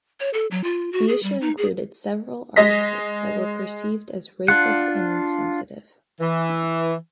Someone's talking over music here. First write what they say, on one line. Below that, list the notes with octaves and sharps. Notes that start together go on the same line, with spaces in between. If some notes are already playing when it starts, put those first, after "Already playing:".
The issue included several articles that were perceived as racist and insensitive.
C#5
A4
F#3
F4
F#4
G#4
G3
D#4
G#4
G#3 D#5 A#6 B6
D4 F4 F#5 F#6
E3